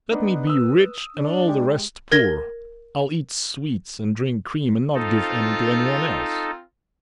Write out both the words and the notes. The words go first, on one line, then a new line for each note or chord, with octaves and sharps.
Let me be rich and all the rest poor, I'll eat sweets and drink cream and not give any to any one else.
B3 D4 D#4
B4
D#6 E6
D4
G#3 G4
A#4 G#6 A#6 G7
C4 D#4 F4 A4